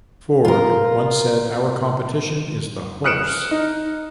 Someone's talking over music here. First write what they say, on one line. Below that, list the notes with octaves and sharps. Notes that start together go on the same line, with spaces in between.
Ford once said Our competition is the horse.
F4 A#4
D#6 F6 F#6 C#7 D7 E7
D#4